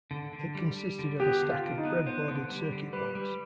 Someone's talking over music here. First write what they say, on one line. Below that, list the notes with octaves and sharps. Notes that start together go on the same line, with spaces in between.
It consisted of a stack of breadboarded circuit boards.
D3
D3
G3
G3
D3
B3 G4
D3
F4
D3
D#4
B3
B3 C5
D3
G3
D3
G3 B4
G3